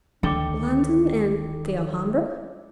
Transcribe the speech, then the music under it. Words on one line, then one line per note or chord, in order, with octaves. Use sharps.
'London and the Alhambra!'
D2 D#3 D4 A4 G5 D6 C#7